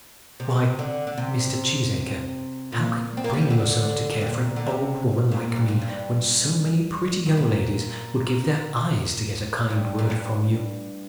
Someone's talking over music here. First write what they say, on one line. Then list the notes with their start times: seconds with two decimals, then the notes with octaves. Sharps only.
"Why, Mr. Cheesacre, how can you bring yourself to care for an old woman like me, when so many pretty young ladies would give their eyes to get a kind word from you?"
0.40 C3
0.79 D3
1.07 D3
1.18 C3
2.72 A#2
3.17 C4
3.24 A#3
3.33 G3
3.41 F3
3.50 D3
4.21 G2
4.27 A#2
4.56 D3
4.67 C3
5.31 A#2
5.56 G2
5.68 A#2
5.82 G2
7.26 G2
7.37 A#2
9.70 G2
9.99 A#2
10.10 G2